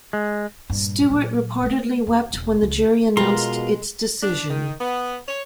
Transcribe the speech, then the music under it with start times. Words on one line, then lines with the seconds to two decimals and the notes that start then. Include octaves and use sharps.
Stewart reportedly wept when the jury announced its decision.
0.13 G#3
0.70 G2 A#2
1.10 A#2 F#3
1.63 G#3 A3
2.07 D#2
2.33 E1
2.62 C#2
3.17 B2 G#3 F4 A#4 C6
4.23 D4
4.50 D#3
4.80 B3
5.28 C#5